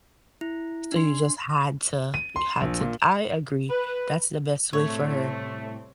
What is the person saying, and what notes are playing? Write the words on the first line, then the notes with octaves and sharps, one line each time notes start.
S so you just had to, uh, had to I agree, that's the best way for her.
E4
D4 C6
D#7
C6
A#1
A#2
B4
A2 C3 G3 A3 C4 C#5